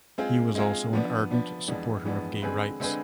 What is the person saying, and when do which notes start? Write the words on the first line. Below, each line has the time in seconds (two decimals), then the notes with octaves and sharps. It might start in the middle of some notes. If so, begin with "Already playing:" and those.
He was also an ardent supporter of gay rights.
0.18 G#3 C4 F4 G#4
0.55 G#3 C4 F4 G#4
0.93 F3 B3 D4
1.31 F3 B3 D4
1.68 F2 E3 G#3 B3 D4
2.05 F2 E3 G#3 B3 D4
2.42 D3 G#3 C4 G#4 B4
2.80 D3 G#3 C4 G#4 B4